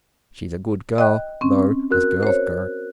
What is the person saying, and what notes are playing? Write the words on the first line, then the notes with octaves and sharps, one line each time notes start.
She's a good girl, though, as girls go.
D#5 G5 F#6
C4 C#4
F#4 A#4 F#6
C5 C#5